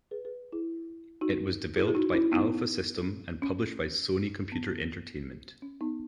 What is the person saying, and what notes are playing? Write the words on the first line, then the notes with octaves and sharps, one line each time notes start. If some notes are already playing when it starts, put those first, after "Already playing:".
It was developed by Alfa System and published by Sony Computer Entertainment.
G#4 B4
G#4 B4
E4 G#4
D#4 F#4
E4 G#4
G#4
D#4 F#4
C#4 E4
B3 D#4
C#4
B3
C#4
B3 D#4